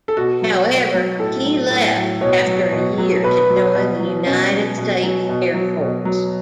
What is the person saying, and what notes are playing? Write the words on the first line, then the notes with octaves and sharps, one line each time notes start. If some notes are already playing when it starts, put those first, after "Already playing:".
However, he left after a year to join the United States Air Force.
A4
B2 F#4
F#3
B2
F#3
A2 A4
F#3
A2
F#3
B2 C#5
F#3
B2
F#3
B2 B4
F#3
B2
F#3
B2 C#4
F#3
B2
F#3
B2
F#3
B2
F#3